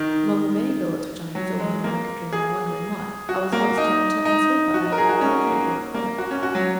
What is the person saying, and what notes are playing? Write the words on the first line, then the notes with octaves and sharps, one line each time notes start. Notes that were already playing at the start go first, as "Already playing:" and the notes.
Among the many billets which I have filled in America during my wandering life, I was once janitor and sweeper out of the laboratory at York College.
Already playing: D#3
F#3
G#3
A#3
G#4
F#4
A#3
D#4
D#4
F#4
D#4
A#4
G#4
F#4
C#4
A#3
A#3
F#4
C#4
F#4
F#3